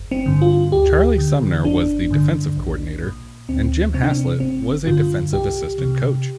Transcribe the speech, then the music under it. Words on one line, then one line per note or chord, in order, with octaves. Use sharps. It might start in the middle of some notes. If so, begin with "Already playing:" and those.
Charlie Sumner was the defensive coordinator and Jim Haslett was a defensive assistant coach.
Already playing: G1
C4
G2 D3
F4
D2 G4
D3
G1 D4
G2 D3
A#1
A#2
D2 C4
C3 C4
D4
C4
G1 C4
G2 D3 F4
C2 G4
C3